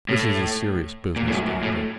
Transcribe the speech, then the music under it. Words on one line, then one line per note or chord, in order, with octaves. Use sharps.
"This is a serious business, Doctor."
A2
A#2
A2
F#2
F#2
A2